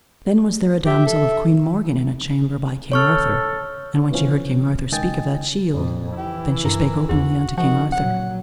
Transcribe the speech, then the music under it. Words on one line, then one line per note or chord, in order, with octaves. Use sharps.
Then was there a damosel of Queen Morgan in a chamber by King Arthur, and when she heard King Arthur speak of that shield, then she spake openly unto King Arthur.
G4 E5
A4
A4 C#5 C#6 F6
B2 D3 E3 F3 C#4
C#2 D#3 D#5 G5 G#5 A6
F2 A#2
E3 E4 G4
G2 A#4
E2 F#4
D#3 F3 F#4
A#2 F#3 F#5